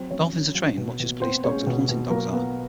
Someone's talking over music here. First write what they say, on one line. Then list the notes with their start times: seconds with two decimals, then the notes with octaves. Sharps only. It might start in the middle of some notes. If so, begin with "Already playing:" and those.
Dolphins are trained much as police dogs and hunting dogs are.
Already playing: F#3 C4 C5
0.11 F#3 C#4 C#5
0.33 F#3
0.55 F#3
0.77 B2
1.00 B2
1.21 B3 C4 C5
1.44 G#3 C#4 C#5
1.67 B2
1.88 B2
2.10 F#3 A#3 A#4
2.32 A#3 B3 B4